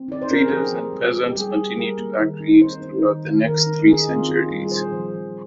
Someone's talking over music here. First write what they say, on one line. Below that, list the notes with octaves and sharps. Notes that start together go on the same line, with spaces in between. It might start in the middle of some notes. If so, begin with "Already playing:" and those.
Traders and peasants continued to accrete throughout the next three centuries.
Already playing: C4
D#4 D5
C5
C4 A#4
G#4
F3 G4
F3
G#3
G#3
G4
G3 G#4
G3
G3 A#4
A#3
D#3
D#4
D#4 C5
D#4
D#3
D#3
D#3 A#4
D#4
D#4 G#4
C4 F4
D#4 F4
G3 F4
G#4
A#2 C5
F3
F3